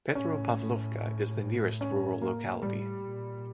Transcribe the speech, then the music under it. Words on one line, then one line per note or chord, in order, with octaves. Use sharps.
Petropavlovka is the nearest rural locality.
A2 C#4
C#4
A#3
A2 G3
A#2